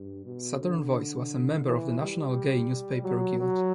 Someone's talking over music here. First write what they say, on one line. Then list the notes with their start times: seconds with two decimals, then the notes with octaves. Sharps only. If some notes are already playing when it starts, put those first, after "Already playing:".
"Southern Voice" was a member of the National Gay Newspaper Guild.
Already playing: G2
0.25 B2
0.60 D3
1.65 E3
2.00 G3
3.04 F#3
3.38 F#3